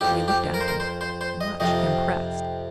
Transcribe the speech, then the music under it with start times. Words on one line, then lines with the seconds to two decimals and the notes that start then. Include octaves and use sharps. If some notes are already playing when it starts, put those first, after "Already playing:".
We looked at him, much impressed.
0.01 F2 F3 G4
0.28 G4
0.54 A#4
0.61 C5
0.68 A#4
0.80 C5
1.01 C5
1.21 C5
1.41 D#5
1.60 F2 C3 F3 D#5